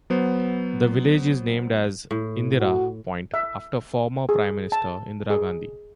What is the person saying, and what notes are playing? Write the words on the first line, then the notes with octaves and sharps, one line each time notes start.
The village is named as Indira Point after former Prime Minister Indira Gandhi.
F#3 B3 C5
A2
F#4
E5
G#4
A5
G#4